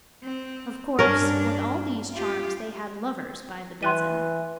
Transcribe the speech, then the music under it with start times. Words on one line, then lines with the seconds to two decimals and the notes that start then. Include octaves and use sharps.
Of course, with all these charms they had lovers by the dozen.
0.23 C4
0.99 G2 C#4 D4 A#4
2.13 F4 G4
3.83 E3 C6 F#6 D#7